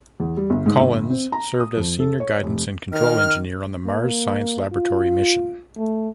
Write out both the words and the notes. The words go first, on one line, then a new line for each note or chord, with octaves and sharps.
Collins served as senior guidance and control engineer on the Mars Science Laboratory mission.
E2
G3
G1
G#2
G1
C4
A#5
D#6
F2
A4
C#5
F1
D#3 F6
A#3
F4
A3